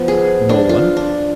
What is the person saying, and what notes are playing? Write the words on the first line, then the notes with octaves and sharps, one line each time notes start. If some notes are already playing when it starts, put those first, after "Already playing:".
"No one."
Already playing: F3 B3
G#4
D4
F4
D4